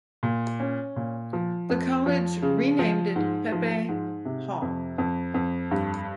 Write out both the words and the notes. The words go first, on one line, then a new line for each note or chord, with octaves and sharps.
The college renamed it Pepe Hall.
A#2
C#4
A#2
F3
F2
F3
C#3
F3
G#2
F3
G#2
C3
F2
F2
F2
G2